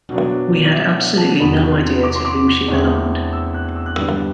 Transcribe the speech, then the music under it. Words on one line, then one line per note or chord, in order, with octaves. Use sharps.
We had absolutely no idea to whom she belonged.
B2 F#3 B3 D4
D5
E5
F#5
A5
E2 C3 F#3 B3 B5
C6
D6
C6
D6
E2 D3 A3 C4
E6
F#6
E6
F#6
G2 D3 G3 B3 D4 E6